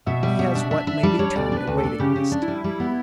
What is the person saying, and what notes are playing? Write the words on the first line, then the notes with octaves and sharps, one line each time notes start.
He has what may be termed a waiting-list.
B2 E5
G3
B2
D4
D4 E5
D4 E5
G3
G3 C#5
D2 D5
D4
B4
D2
A4
D4
C#3 G4
C#3
D4
E4
G3
G3
B3